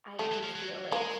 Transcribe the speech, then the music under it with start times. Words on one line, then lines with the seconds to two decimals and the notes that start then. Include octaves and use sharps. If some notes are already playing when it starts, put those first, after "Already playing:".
I do feel like,
0.19 D#3 A3
0.31 E3
0.43 F3
0.55 F#3
0.92 G#3 A#3